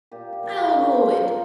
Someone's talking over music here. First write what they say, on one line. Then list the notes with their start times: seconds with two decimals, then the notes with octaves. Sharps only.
"I'll rule it!"
0.11 A#2 G4
0.33 G4
0.43 F3 A#3
0.53 G#4
0.74 A#2 A#4
0.95 C5
1.05 F3 A#3
1.16 C5